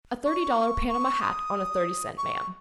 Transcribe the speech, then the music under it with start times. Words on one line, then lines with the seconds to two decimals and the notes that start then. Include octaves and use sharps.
A thirty-dollar Panama hat on a thirty-cent man.
0.25 C#6
0.89 C#6
1.21 D#6
2.18 C#6